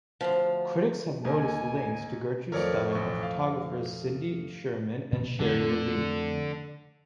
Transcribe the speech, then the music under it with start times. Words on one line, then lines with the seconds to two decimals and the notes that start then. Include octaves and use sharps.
Critics have noticed links to Gertrude Stein and photographers Cindy Sherman and Sherrie Levine.
0.21 D2 F3
1.25 D#2 G#5
2.52 F2 A3 A#4 C#5 D5
2.93 A1 C#6
3.23 F5
5.12 A#2
5.40 F2 D3 A3 C4